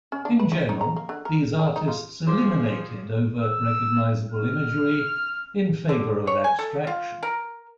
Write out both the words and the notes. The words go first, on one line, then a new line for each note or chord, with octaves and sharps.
In general these artists eliminated overt recognizable imagery in favor of abstraction.
C#4
D4
B4
E4
D#4
A#5
A#3
D3
A#4
D4
D#4
F4
D#3 F3 C4 G#4 C5 D6
E6
F6
D3
C#5
G#5
A4
F4
A#4